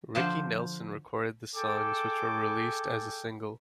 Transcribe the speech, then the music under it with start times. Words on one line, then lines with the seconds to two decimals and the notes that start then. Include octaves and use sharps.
Ricky Nelson recorded the songs which were released as a single.
0.15 D3 F3 C5 A5
1.56 G#4 A4 G5 D6